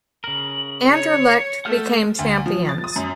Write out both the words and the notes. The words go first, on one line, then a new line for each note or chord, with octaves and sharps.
Anderlecht became champions.
C#3 A#4 F#7
C#5 C#7
A3 F#5 F6 G6
D2
F3
A6
D#6
F#2